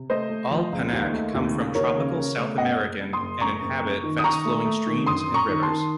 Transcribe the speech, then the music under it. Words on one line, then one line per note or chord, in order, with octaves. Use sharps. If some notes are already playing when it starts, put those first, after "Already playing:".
All "Panaque" come from tropical South American and inhabit fast-flowing streams and rivers.
Already playing: C3
A3 C5 D#5
A3
F3
C#2
D#2
A3
D#2
C#3
D#2 A#4 C#5
C#3
C#3
A3
F#2 D#5 F#5
F#1
F#1
C6 D#6
F#1
F#1 A#5 C#6
F#1
F#2
D#3
D#6
D#3 A#5 C#6
A3
A3
D#3
F#2 C6 D#6
F#2
A#5 C#6
D#3
A5 C6
D#3